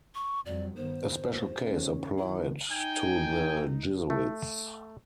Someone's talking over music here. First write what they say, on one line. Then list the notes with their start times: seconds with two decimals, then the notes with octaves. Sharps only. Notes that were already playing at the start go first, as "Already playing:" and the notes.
A special case applied to the Jesuits.
0.15 C#6
0.46 F2 F#3 G3 D5
0.77 G2 D#3 B3 C5
1.28 D#2
1.57 D2 C#4
2.18 D#3 E4
2.72 D#4 G5 G#5
4.10 A3